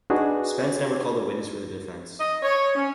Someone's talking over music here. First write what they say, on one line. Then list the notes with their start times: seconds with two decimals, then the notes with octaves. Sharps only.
Spence never called a witness for the defense.
0.10 D4 D#4 F#4 G#4 B4
2.20 D#5
2.43 C#5
2.75 C#4